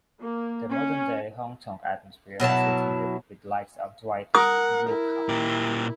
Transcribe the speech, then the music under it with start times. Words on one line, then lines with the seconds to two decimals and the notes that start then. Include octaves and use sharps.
The modern-day, honk-tonk atmosphere has continued, with likes of Dwight Yoakam.
0.20 A#3
0.71 C#4
2.40 B2 F#3 E4 A5
4.35 A#4 F#5 D#6
4.89 E4
5.29 A#2 G4